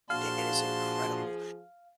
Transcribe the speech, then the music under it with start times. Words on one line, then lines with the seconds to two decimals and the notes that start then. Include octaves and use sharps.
That is incredible.
0.10 A#2 F3 D4 F#4 G#4 F5 A5 C6